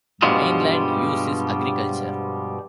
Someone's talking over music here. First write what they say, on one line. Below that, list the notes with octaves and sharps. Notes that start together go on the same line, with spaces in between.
The main land use is agriculture.
G2 B2 F3 G3 G#3